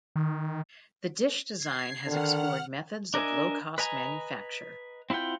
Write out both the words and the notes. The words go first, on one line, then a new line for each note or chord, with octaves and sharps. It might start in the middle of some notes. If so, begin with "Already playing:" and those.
The dish design has explored methods of low-cost manufacture.
D#3
G#6 C7
D3 D#3 F#5 F6
D4 A#4 D#5 E5 G#5
B4 D#5 G#5 A#5
C4 E4 F4 F#5 G5